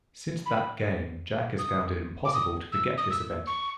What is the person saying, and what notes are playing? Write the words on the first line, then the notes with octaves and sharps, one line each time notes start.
Since that game, Jack has found it impossible to forget this event.
B5
D#6
D6
D#6
E6
D#6
E6
C#6